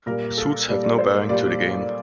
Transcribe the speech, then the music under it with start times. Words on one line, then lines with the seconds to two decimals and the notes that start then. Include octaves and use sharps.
Suits have no bearing to the game.
0.06 A#2 G3 A#4
0.37 A4
0.68 A#2 G3 D5
0.83 D5
0.98 C5
1.29 A#2 G3 D5